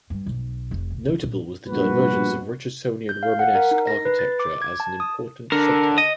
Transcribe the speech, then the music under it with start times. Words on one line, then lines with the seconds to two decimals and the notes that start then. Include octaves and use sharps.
Notable was the divergence of Richardsonian Romanesque architecture as an important subtype.
0.10 G2
0.26 B1
0.71 F1
0.92 B1
1.08 C#3
1.24 A#2
1.67 A#1 G2 B2 F#4 B4
3.09 G6
3.23 F5
3.39 F#5
3.55 A#4
3.71 D#4
3.87 A#6
4.05 B4
4.19 A6
4.40 D6
4.62 G#6
4.80 A5
5.00 D#6
5.52 D3 A#4
5.98 D#5